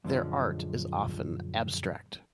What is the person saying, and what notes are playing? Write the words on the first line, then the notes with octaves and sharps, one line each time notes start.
Their art is often abstract.
F#2 A#2 D3 E3 F3 G#3